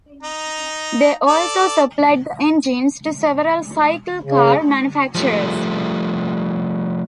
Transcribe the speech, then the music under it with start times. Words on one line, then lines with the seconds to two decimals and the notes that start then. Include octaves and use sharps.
They also supplied the engines to several cyclecar manufacturers.
0.23 D#4 A#5
1.28 A4 D5
4.23 C#3
5.15 F3 G3 A3